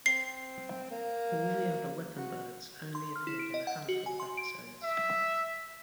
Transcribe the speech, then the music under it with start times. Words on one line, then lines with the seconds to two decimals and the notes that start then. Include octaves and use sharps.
All the other "weapon-birds" only appeared in a handful of episodes.
0.06 C4 C7
0.91 A#3
2.17 F#4
2.95 C6
3.16 F6
3.27 E4
3.39 D7
3.54 D#5
3.67 F#5
3.89 F#4
4.06 G#5
4.20 C6
4.37 D7
4.83 E5